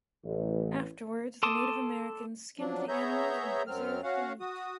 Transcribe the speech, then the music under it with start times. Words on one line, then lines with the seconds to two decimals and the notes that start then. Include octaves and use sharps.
Afterwards, the Native Americans skinned the animals and preserved the meat.
0.25 A1
1.43 A4 A5 C6 D6 D#6
2.59 F3 F#3 D4
2.88 B3 G#4 C#5 E5 A#5 G6
3.67 F#2 F#3 C4 F6
4.03 C#4 F#4 F5 F#5
4.40 F#4 D#6